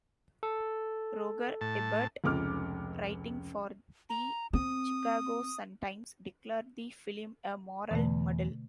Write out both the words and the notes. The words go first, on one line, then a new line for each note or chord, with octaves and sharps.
Roger Ebert, writing for the "Chicago Sun-Times", declared the film a "moral muddle".
A4
A2 A5
F1 C#2 D6 F6
A#5
C4 D#6
E2 B2 D3 A3